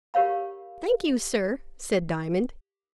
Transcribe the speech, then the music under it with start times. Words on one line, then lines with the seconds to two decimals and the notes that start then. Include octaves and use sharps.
"Thank you, sir," said Diamond.
0.14 G4 A#4 C#5 F5 B5